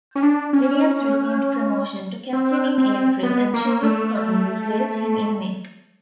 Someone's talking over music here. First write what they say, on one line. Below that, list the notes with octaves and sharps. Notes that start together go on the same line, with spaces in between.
Williams received promotion to captain in April, and Charles Cotton replaced him in May.
C#4
D4
C#4
C4
C4
B3
A#3
A3